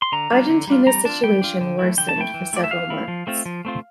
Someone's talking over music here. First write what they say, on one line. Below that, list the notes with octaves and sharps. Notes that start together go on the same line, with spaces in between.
Argentina's situation worsened for several months.
C6
D3 A#5
G3 D4 F4
D3
G3 D4 F4
G3 A#5
D4 F4 A5
G3 G5
D4 F4
D3
A3 E4
D3 G5
A5
A3 E4 G5
E3
A3 E4 D5
E5
E3 F5
A3 E4
F3
A3 C4 F4
F3
A3 C4 F4